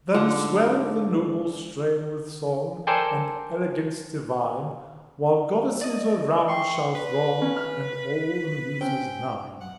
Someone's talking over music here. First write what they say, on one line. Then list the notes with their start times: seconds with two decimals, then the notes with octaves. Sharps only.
Then swell the noble strain with song, And elegance divine, While goddesses around shall throng, And all the muses nine.
0.14 G#2 D3 F4
2.87 A4 A#4 C5 D5 G5 G#5
5.81 D5 D#5
6.48 G5 C6 C#6
6.95 B4
7.42 C#4
7.56 F6
8.81 C4 C#4 G5
9.61 F#5